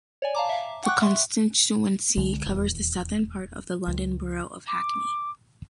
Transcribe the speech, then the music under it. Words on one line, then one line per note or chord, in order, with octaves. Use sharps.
The constituency covers the southern part of the London Borough of Hackney.
C#5 D5 G#5
F5 A5 A#5 D6
E5 F5
F#5 G5 C#6 D6 F#6
E5 C6 C#6
C2 D3 G#3
D#1 E2
C#2
D6